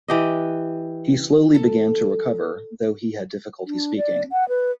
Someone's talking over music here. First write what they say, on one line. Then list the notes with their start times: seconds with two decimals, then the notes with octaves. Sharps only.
He slowly began to recover, though he had difficulty speaking.
0.08 E3 G4 D#5
1.55 A4
3.67 D4
3.97 D5
4.32 F#5
4.49 B4